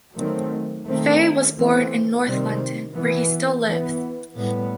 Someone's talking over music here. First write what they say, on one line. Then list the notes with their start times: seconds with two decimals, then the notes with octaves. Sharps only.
Fay was born in north London, where he still lives.
0.16 D#3 F#3 A3 C4
0.87 D#3 A3 C4
1.57 E3 A3 C4
2.26 C3 D#3 G3 C4
2.96 E3 B3
3.68 E3 B3
4.37 A2 G3 B3